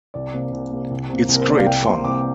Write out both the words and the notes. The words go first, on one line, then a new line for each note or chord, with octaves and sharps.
It's great fun.
C2 D5
C3 A#3
C2
C3 A#3
C2
C3 A#3
C2
A#4
C5
C3 A#3 D5
F5
C2 G5
C3 A#3 C6
C2 D6